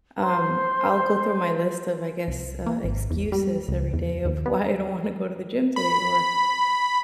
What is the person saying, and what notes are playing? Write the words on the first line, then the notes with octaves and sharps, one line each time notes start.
Um, I'll go through my list of, I guess, uh, excuses every day of why I don't wanna go to the gym today, or
C5 C6
C2
A#3
G#1
E2
G3
C#2
E2
D#2
B3
B5